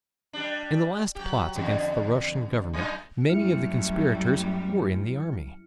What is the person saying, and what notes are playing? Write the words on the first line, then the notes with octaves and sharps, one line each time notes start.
In the last plots against the Russian Government many of the conspirators were in the army.
G3 D4
F#3 G4
E2 D3
F#2 D#4
F#2 G3 A3 E4 F6 C#7